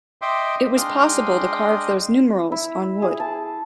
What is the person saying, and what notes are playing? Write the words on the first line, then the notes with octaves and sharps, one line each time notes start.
It was possible to carve those numerals on wood.
D#5 E5 G5 C6 D6
G#3 D4 D#5 F5 G5 C6
E4
G#4
A5